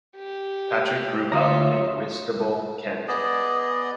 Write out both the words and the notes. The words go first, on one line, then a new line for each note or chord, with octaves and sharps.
Patrick grew up in Whitstable, Kent.
G4
D2 F4 C#5 E5 A#5 D#6
B3 G#4 D5 D#5